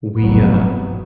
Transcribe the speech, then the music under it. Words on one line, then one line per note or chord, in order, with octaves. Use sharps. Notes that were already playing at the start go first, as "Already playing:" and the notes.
we, um
F1 A#1 G2 F#3 B3